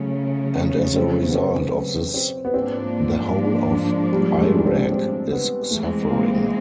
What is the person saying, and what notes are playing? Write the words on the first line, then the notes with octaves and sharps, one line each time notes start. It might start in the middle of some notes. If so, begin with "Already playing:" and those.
And as a result of this the whole of Iraq is suffering.
Already playing: C#3 F#3 A3 C#4
C4
B3
C4
B3
C4
B3
G#2 F3 A#3 C4 D4
G3
A3
G#3
C4
C4
B3
E3 G#3 A3 C4
A#3